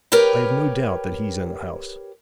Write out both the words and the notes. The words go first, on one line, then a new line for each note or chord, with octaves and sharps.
'I have no doubt that he's in the house.'
G4 A#4 B4 C#5 G5